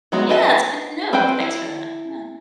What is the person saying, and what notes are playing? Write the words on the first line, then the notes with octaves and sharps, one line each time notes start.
Yeah. It's good to know. Thanks for that. Yeah.
F#3 G#3 B3 F#4
B4 D#5 E5
C4 B4 C5 G5
E4